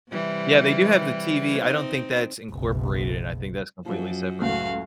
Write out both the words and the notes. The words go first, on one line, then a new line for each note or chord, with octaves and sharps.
Yeah, they do have the TV, I don't think that's incorporated, and I think that's completely separate.
C3 E3 G3
C4 D#4
F#1 B1
F#2 F3
C#2 A2 F#4 F5